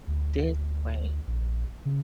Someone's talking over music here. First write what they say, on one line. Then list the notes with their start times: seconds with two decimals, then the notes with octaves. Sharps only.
this way
0.07 D2
1.27 A#1
1.85 C#3